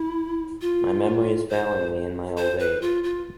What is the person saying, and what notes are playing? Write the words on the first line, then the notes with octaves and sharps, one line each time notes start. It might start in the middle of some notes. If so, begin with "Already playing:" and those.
My memory is failing me in my old age.
Already playing: E4
F4
C5
C5
B4
F4
F4